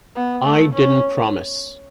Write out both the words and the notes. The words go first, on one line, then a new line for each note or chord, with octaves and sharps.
I didn't promise.
B3
A3
C#4